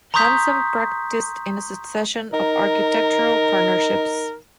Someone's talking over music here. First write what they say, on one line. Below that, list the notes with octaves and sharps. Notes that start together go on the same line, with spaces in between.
Hansom practised in a succession of architectural partnerships.
A#5 C6 C#6 D#6 G6 B6
D#4 A#4